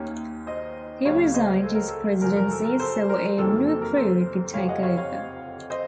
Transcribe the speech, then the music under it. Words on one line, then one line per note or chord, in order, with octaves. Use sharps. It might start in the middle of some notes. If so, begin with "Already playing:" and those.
He resigned his presidency so a new crew could take over.
Already playing: D#2 D#3 A#3 C#4
C5 D#5
C#2 C#3 F#3 A#3 C#4 C#5 F5
F5
C5 D#5
A4
A#4
A4
F#1 F#2 F3 A#4
A#4
A4
A#4
A4 C5
A#4
F#1 F2 D#3 F#3 A#3 A4
A4
A#4
A4 C5
F#1 F2 C3 F3 C#5 F5
D#5 F#5
C#5 F5
C#5 F5
C5 D#5